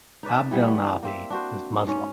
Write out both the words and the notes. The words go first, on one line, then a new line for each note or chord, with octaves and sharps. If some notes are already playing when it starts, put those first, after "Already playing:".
Abdelnaby is Muslim.
D#4 B4 D5 E5
E3 G3 B3
A#3 C4 E5
D4 F#4 C5
G#2 C#4